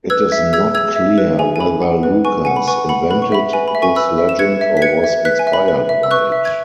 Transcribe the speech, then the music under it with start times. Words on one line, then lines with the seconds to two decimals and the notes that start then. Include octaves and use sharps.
It is not clear whether Lucas invented this legend or was inspired by it.
0.10 B4 E6 G#6
0.32 E5
0.53 G#4 E6 G#6
0.75 G#4 E6 G#6
0.96 E5
1.18 B4
1.39 G#4 G#5
1.56 G#5
1.60 G#4 B5
1.82 F#5
2.03 B4
2.25 B4 G#5 C#6
2.45 F#5 G#5
2.56 B5
2.68 B4 G#5 C#6
2.89 F#5 B5
3.10 B4 B5
3.22 C#6
3.32 E5 B5
3.53 B4 G#5
3.68 B5
3.75 E5
3.82 G#5 C#6
3.96 B4 B5 E6
4.18 E5
4.29 E7
4.39 B4 G#6 C#7
4.61 E5
4.77 B6
4.82 B4 G#6 C#7
5.04 E5
5.25 B4 F#6 B6
5.39 G#5
5.47 E5
5.53 B5
5.68 B4
5.89 E5
6.03 E6
6.11 B4 C#6 F#6
6.32 E5
6.45 G#6